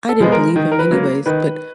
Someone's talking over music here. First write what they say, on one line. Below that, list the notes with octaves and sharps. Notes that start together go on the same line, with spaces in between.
"I didn't believe him anyways, but
A4
F3 G#3 B3
A#4
D#3
A#4
B4
F#3 A#3
D#3 B4